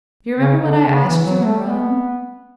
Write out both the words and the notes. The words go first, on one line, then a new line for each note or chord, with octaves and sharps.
Do you remember what I asked you in Rome?
C#3
D3
C#3
F#3
E3
F#3
A3
B3